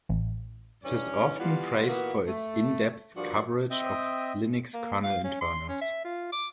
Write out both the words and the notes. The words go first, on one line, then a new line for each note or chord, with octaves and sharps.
It is often praised for its in-depth coverage of Linux kernel internals.
A1
G2 E3 C#4 C#5 D5
E3 G3 B3 F4
A#2 E3 A#3 B3 F#4
A3
G2 F3 A#3 F#4 D5
C4 D#5 E5 G5 D#6
A#3
F5
C#4
C6
C#4
E5
F4
D6